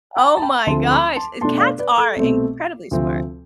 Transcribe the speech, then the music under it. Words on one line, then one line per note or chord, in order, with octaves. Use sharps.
Oh my gosh, e cats are incredibly smart.
G5 B5
A5
G5 B5
D2 D3 F3 A3 C4 A5 C6
B5 D6
A5 C6
B2 A3 D4 A5 C6
D5 F5
B4 D5
A4
C2 B2 A3 C4
D2 C3 F3 C4